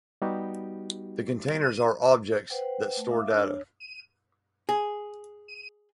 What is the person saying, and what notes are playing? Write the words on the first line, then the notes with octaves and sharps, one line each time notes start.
The Containers are objects that store data.
G3 B3 D#4 F#4 G4
B4 C5 F#5 G5
A3
D#4 E5 F5 D6 D#6
D4 A#4 C#5 E6
C#5
G#4